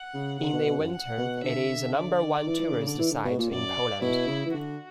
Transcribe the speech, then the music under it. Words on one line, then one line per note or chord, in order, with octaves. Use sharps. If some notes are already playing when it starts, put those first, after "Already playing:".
In the winter, it is the number one tourist site in Poland.
Already playing: F#5
C#3
C#3 F#5
B2
B2
F#2
F#5
B2
D3 E5
D3
D5
E3
E3
D3
C#3
D3
E3
D3
B2
A#2
F#2 D5
B2 E4
C#3
E3
D3 F#4